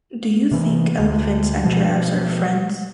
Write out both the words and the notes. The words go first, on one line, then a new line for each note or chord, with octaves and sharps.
Do you think elephants and giraffes are friends?
C3 E3
D2
B2 F3